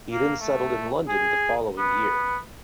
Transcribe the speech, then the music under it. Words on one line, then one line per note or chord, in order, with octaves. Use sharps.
He then settled in London the following year.
A#3
A3
G#4
B3